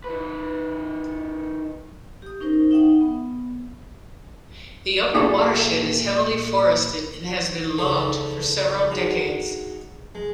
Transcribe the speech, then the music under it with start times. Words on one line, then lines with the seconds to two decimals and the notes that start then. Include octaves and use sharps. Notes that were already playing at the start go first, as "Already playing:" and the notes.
The upper watershed is heavily forested and has been logged for several decades.
0.04 D#3 B4
2.22 G4 D#6
2.40 C#4 D#4 A#4 C5
2.71 D#4 E5 F#5 G5 D#6
3.01 B3
5.14 A#2 E4 F#4 G#4 A4
7.78 C#2 C4 D#4 A4 D5
8.91 G#3 D#4 F#4
10.15 G#3